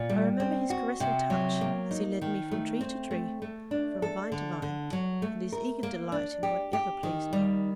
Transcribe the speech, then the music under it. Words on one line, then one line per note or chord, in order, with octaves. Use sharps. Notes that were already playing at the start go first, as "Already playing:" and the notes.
I remember his caressing touch as he led me from tree to tree, from vine to vine, and his eager delight in whatever pleased me.
Already playing: A#2
G3
C4
F#4
C3
F#3
A#3
D#4
D#3
A3
C4
A3
A3
D4
A4
D3
D3
F#3
A3
A#4
A#3
D4
G4
G4
D#3
G3